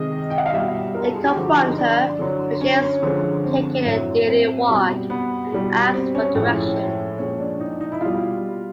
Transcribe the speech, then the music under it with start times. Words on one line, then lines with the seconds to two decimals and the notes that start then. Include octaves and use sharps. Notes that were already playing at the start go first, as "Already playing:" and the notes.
They confront her while she is taking a daily walk, and ask for direction.
Already playing: C3 D#3 G#3 D#5
0.30 G5
0.38 F#5
0.46 F5
0.52 B2 G3 E5
0.95 A#4
1.04 A4
1.15 G#4
1.25 G4
1.36 D3 F3 G#3 F#4
1.57 D#4
1.77 D4
2.19 D3 F#3
2.61 C#4
3.03 D3 F3 G#3
3.44 C4
3.85 A2 F#3
4.28 C4
4.68 B2 G3
5.10 B3
5.52 B2 G3
5.94 C4
6.15 C#4
6.35 A2 F3 G#3 C#4
7.18 A#2 F3 G#3 C#4
7.38 D4
7.60 D#4
7.81 D#4
7.92 E4
8.01 B2 G3 F4